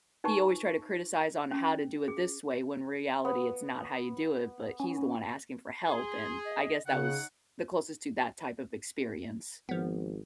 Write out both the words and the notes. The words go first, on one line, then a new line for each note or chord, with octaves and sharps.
he always tried to criticize on how to do it this way when in reality it's not how you do it, but he's the one asking for help, and I guess that was the closest to that type of experience.
D#4 B4 A5 C#6
C#4
G#4
B3
C#4
G#4 C6
D#5
C#3 D#4 C#5 F#5 F#6
G#1 F3 B3